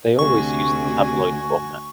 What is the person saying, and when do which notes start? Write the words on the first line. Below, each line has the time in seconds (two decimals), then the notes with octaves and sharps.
They always used the tabloid format.
0.19 D2 C3 F#4 G#5 C#6